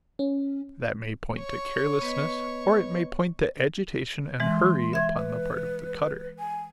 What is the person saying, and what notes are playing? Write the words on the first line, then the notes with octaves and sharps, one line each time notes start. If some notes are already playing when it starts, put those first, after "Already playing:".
That may point to carelessness or it may point to agitation and hurry upon the part of the cutter.
C#4
C#5 C#6
B3 B4 D#5
E3 G#3 C6
E5 G#6
B4
G#5